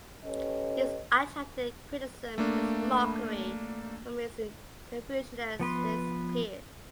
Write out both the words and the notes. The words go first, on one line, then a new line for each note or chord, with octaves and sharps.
This attracted criticism and mockery from his Confucianist peers.
C#4 G4 A4 B4 C#5 D#5
A3 A#3 D4
F3 B3 B4 C6